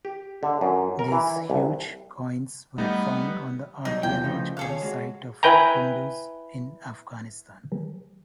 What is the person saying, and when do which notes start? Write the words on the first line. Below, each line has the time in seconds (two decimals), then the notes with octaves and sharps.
These huge coins were found on the archeological site of Qunduz in Afghanistan.
0.05 G4
0.43 D3
0.61 F#2
0.99 A#4
1.12 E3
1.50 C2
2.78 G3 A3 B3 D#4
3.85 B2 F#3 G3 D#4
4.03 E2 F4 G5 G#6
4.23 C#3 F3 A3 D#4 F4
4.57 D#2 G#4 A4 F5
4.70 C#5
4.82 G#3 F#4
5.43 E4 B4 G5 G#5 A#5